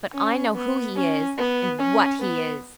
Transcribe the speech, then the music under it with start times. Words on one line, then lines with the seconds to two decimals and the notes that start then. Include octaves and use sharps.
But I know who he is and what he is.
0.14 C#4
0.55 B3
0.96 C#4
1.37 B3
1.79 C#4
2.20 B3